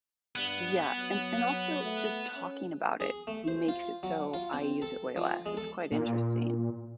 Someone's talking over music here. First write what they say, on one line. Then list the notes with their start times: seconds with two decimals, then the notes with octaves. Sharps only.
Yeah, and and also, just, talking about it makes it so I use it way less. It's quite interesting.
0.36 G2 B3
0.97 F#3
1.83 A3
2.36 C#4
3.00 G#4
3.27 A3
3.48 C5
3.68 F4
4.03 F#3
4.34 F4
4.53 C4
4.82 A4
5.16 F3
5.46 G#3
5.57 A4
5.92 A#2